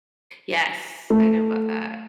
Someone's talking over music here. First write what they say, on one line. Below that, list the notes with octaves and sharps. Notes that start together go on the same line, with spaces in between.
Yes, I know about that.
A3